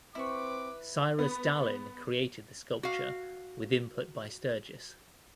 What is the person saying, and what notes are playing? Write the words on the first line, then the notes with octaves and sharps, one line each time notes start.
Cyrus Dallin created the sculpture with input by Sturgis.
C4 E4 B4 C#6 D6
B3
F#4 F5